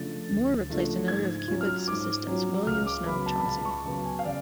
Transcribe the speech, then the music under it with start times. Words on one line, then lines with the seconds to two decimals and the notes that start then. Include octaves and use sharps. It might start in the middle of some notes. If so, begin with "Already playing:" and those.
Moore replaced another of Cubitt's assistants, William Snell Chauncy.
Already playing: C#3 F3 A3 D4 A6
0.29 D2
0.69 C#3 F3 A3 D4
1.08 G#2 G#6
1.48 F#3 C#4 F4
1.61 F6
1.87 G#2 D6
2.27 F#3 C#4 F4
2.67 C#2 F6
2.86 D6
3.06 C#3 F#3 B3 B5
3.26 A5
3.40 B5
3.46 C#2 A5
3.65 C#6
3.85 C#3 F#3 B3 A5
4.05 G#5
4.19 F5
4.25 C#3 D5